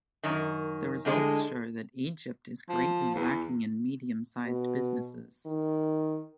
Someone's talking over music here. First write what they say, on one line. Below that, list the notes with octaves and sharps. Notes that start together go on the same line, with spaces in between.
The results show that Egypt is greatly lacking in medium-sized businesses.
F#2 D#3
A2 D3 G#3
F3
E2
B2
D#3